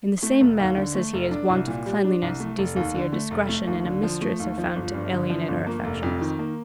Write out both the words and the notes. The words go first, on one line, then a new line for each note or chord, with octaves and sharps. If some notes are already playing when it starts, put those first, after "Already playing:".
In the same manner, says he, as want of cleanliness, decency, or discretion in a mistress are found to alienate our affections.
A3
F1
D#2
D3
A3
F1
D4
C2
A#2
G3
D4
C2
A3
F1
D#2
D3
A3
F1
A3
D#2
D3
F3
A3
D#2
F3
G1
G2
D3
F3
G1
A#3
F1
F2
D#3
A#3